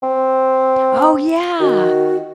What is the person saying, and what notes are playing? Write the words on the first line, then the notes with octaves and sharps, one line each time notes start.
Oh yeah,
C4
D#3 F#4